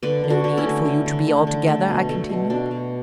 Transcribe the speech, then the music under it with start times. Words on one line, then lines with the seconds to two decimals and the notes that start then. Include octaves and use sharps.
"No need for you to be, altogether!" I continued.
0.03 D3 B4 D5
0.24 D3
0.30 D4 F#4
0.44 D3
0.57 C#4 E4
0.64 A3
0.86 A3
1.06 D3
1.27 A3
1.47 D3
1.67 A3
1.89 B2
2.09 A3
2.30 B2
2.50 B2 D4
2.71 B2